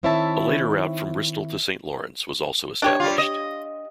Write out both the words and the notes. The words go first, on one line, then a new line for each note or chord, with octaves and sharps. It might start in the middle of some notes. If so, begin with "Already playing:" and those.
A later route from Bristol to Saint Lawrence was also established.
D#3 C4 E4 C#5 E5 A5
D4 G4 C#5
G3 F4
D#5